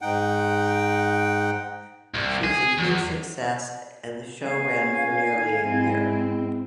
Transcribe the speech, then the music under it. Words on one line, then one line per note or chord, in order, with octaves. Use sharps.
She was a huge success and the show ran for nearly a year.
G#2 D#4 F#5 G5
C2
G#4
E2
G#3 B3 C#4 F5 G#5
D#3 A3
G#2 G#3 C4 E4